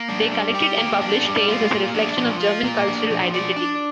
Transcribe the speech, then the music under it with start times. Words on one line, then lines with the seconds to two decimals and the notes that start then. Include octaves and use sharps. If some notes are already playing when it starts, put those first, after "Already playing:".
They collected and published tales as a reflection of German cultural identity.
Already playing: A#3
0.09 D4
0.32 G3
0.55 G4
0.79 A#3
1.01 D4
1.25 G3
1.48 F4
1.70 A#3
1.94 D4
2.17 F3
2.40 F4
2.64 A#3
2.88 D4
3.10 F3
3.34 D5
3.56 D4